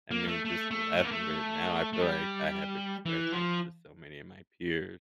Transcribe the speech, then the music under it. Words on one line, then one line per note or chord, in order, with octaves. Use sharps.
I mean, just laughing right now, I feel like I have expressed this to so many of my peers,
A#3
A3
A3
A3
A3
A#3
A3
A3
G3
E3
F3